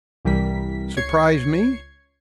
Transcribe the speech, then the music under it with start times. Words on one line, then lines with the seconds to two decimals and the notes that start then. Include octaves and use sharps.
"Surprise me?"
0.25 C2 E3 G3 A#4 B6
0.96 C#2 C#5 G#6 C7 C#7